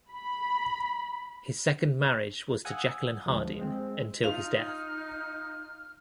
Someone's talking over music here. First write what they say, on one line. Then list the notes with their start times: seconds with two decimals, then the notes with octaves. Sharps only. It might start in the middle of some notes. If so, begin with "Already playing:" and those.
His second marriage was to Jacqueline Harding until his death.
0.11 B5
2.65 F5 F#5 G#5 D#6 E6
3.26 D2 F3 G#3
3.59 G#3 C4
4.24 D#4 F4 F6 F7